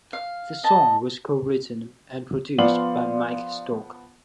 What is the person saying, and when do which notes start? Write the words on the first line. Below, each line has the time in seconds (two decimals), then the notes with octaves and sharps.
The song was co-written and produced by Mike Stock.
0.13 F5
0.64 D#5 A5
2.58 F3 B3 D5 F5 C6 F#7